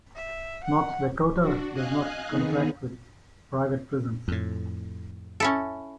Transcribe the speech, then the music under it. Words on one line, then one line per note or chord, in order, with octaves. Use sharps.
North Dakota does not contract with private prisons.
E5
F#5
D4 F#4
D#5 F5 G#5 F#6
D#3 B3 D#4 G#4
F2 A2
C#4 E4 A4